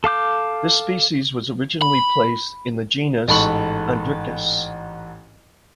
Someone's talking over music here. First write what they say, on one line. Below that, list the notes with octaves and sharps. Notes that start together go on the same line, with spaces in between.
This species was originally placed in the genus "Andricus".
A4 F5 D6 G6
B5
A1 G#2 A4 B5 C#6 F#7